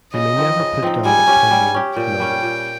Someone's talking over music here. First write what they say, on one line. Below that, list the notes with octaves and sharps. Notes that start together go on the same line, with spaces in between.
You may never put down a Tom Wolfe novel.
C#3 D#5
F3 C4 D#4
C#3
F3 C4 D#4
G3 G#5
C#4 G4
G3
C#4 G4
A#2 G5
G3 C#4
A#2